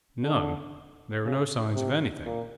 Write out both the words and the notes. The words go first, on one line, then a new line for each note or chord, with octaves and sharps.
'None,--there were no signs of anything.
D3
C#3
C3
A#2